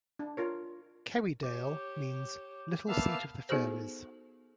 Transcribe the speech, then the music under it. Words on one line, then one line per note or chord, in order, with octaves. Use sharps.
Kerrydale means "little seat of the fairies".
D4
F4 A#4 C#5
G4 C#5 D6 G6
A#3 B3 E5 F5 A5
B3 D#4 F#4 G#4 A4 C5